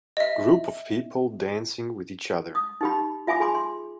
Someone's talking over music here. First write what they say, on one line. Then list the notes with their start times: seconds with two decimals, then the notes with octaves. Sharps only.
Group of people dancing with each other.
0.17 D#5 E5
2.55 D#6
2.81 D#4 G4 B5
3.27 F4 E5 G#5 B5 D6
3.40 G#4 G#5 B5 C6 D6
3.55 C6